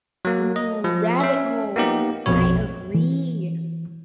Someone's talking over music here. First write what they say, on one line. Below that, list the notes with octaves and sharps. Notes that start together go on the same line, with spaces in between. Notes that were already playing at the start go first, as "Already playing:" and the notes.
Ooh, rabbit holes, I agree,
F#3 A#3
D#5
F3
C#4 E5
A#3 B3 D#4 G4
A#1 F2 B2 C#5
E3